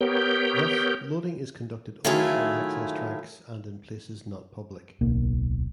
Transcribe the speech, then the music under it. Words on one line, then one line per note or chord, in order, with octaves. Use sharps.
Thus loading is conducted only on access tracks and in places not public.
B3 G4 A#4 C#5 G6
D#3 F#3 A3 E4 F4 G#4
D1 B1 A#3